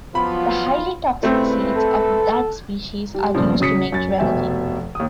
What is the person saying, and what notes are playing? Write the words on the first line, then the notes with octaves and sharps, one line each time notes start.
The highly toxic seeds of that species are used to make jewellery.
F3 F#3 B3 F4 B5
G2 C#3 A3 C4 E4 B4
A4
G3
G2 A#2 C#3 F3
C#3 F#3 D#6 B6 C#7
F#2 A6
F1 B2 E5 G5 G#5
D#2 D#6